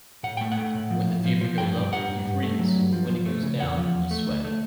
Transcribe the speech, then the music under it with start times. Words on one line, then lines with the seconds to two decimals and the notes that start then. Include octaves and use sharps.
When the fever goes up, you freeze, when it goes down, you sweat.
0.23 A2 F#5
0.37 A3 G5
0.52 F#5
0.57 A3
0.74 A2
0.90 F3
1.07 A2
1.25 F3
1.41 F3
1.58 G2 G5
1.76 G2
1.92 G2 F#5
2.08 G2
2.25 G2
2.42 A3
2.59 F#3
2.76 G2
2.93 F3
3.10 F3
3.26 A3
3.43 C#3
3.60 E2 F#5
3.77 F3
3.94 E2
4.11 A3
4.28 D2
4.44 A3